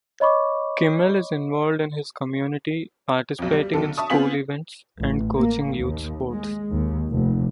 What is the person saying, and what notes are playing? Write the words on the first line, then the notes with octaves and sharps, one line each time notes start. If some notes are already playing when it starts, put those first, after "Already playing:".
Kimmel is involved in his community, participating in school events and coaching youth sports.
C#5 D#5 B5 C#6 D6
B1 F2
G3
B1 D3 A4
E5 A5 C#6 D#6
B3 C4 F4 G#5 B6 F#7
A1
A#3
D#2
G#3
D#2
F1